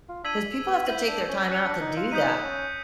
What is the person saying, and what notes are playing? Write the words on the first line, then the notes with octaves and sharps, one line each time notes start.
'cause people have to take their time out to do that,
F4
D4 E6 G#6 B6 D#7 F#7
B3
E4 G6 B6 D#7 F#7
D4
C#4
C#4 F#6 A#6 C#7
D4
D#4
F4
D#4 D#6 G6 B6 D#7
C#4